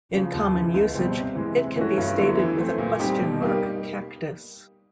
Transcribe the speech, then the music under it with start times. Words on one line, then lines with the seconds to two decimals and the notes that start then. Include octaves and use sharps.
In common usage, It can be stated with a question mark Cactus?
0.13 C#3 F3
0.33 D#2
0.54 C#3 E3
0.74 C#2
0.95 B2 G3 C4
1.15 C3
1.35 E3 G#3
1.56 C3
1.76 E3 A3 C#4 F#4
1.97 G2
2.17 D3 F#3 B3 E4
2.38 E3
2.58 A3 C4
2.78 A#2
2.99 G3 C4 D#4 G4
3.20 B2
3.40 G3 A#3 D#4 G4